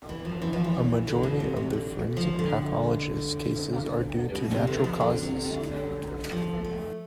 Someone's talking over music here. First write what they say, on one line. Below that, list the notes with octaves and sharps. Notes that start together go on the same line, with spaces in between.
A majority of the forensic pathologists cases are due to natural causes.
E3
F3
E3
F3
E3
D3
B2
C3
C3
D3
F3
D3
B2
C3
D3
F3
D3
C3
D3
F3
A3